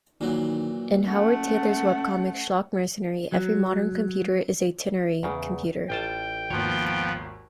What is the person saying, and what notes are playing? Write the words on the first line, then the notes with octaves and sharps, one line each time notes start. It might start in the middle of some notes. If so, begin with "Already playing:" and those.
In Howard Tayler's webcomic "Schlock Mercenary", every modern computer is a ternary computer.
A#2 D#3 E3 F#3
A3 C#4 F#5
F#3
E2 C#3
A1 F4 G5 A5
G#1 D#2 F3 B3 C#5